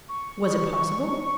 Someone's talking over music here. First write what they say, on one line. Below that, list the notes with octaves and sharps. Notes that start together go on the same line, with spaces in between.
Was it possible?
C#6